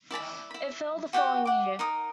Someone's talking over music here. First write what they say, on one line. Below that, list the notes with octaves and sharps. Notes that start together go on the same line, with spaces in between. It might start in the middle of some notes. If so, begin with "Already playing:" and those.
It fell the following year.
E4 D5 A5 B5
E4 B5
F#4 G4 F#5 G5
F#5 D6
D#4 A#4 D#6